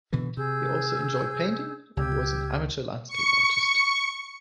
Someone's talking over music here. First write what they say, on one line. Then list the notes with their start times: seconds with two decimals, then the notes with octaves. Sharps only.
He also enjoyed painting and was an amateur landscape artist.
0.13 B2 D3 E3
0.37 C3 G#4 E6 G6
1.97 C#2 G4 E6 G#6
3.08 C#6 C#7